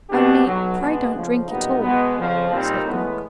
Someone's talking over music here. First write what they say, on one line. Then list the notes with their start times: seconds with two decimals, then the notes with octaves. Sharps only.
"Only pray don't drink it all," said Gluck.
0.09 B2 G3 B3 D4 G4
0.44 B1 B2 F#3
0.78 B2 G#3 B3 D4 F#4
1.12 F2 C#3 F3
1.47 B1 A#2 G3 B3 D#4
1.81 B2 G#3 B3
2.16 F2 C#3 F3
2.51 A#2 G3 C4 D#4
2.84 A2 E3 G#3 B3